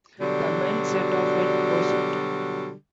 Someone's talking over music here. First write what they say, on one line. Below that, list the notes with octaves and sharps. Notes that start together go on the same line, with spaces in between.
The men set off in pursuit.
B2 D3 F#3 G3